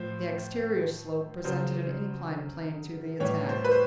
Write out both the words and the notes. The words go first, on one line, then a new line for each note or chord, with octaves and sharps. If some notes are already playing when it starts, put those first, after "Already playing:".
The exterior slope presented an inclined plane to the attack.
Already playing: A2 F3 C5
C#3 F#3 C5
A2 E3 G3 C#5
C5
B4
C5